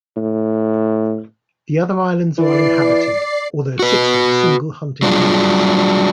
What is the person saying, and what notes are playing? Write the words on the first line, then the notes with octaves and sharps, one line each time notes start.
The other islands are uninhabited, although six have single hunting cabins.
A2
E3 D5 C7
F#4 B4
F#3 G3 D4 E4 F4 G#4